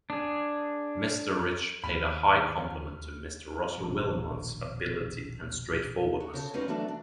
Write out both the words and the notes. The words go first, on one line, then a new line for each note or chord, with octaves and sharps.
Mr. Rich paid a high compliment to Mr. Russell Willmott's ability and straightforwardness.
D4 G#4
D#2 B5 F6
E1 A#1 D#3 F3
F#4
C#3 A4
G3 G#3 C#4 D#4 F#4 B4
E3 F#3 A3 D4
D4